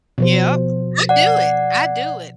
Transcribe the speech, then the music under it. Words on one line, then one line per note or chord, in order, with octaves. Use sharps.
yep. I do it. I do it.
B2 F3 C5
D5 F#5